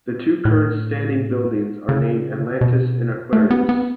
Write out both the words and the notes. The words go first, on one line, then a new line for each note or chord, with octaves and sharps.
The two current standing buildings are named Atlantis and Aquarius.
A2
C#3
B2
A3
B3
B3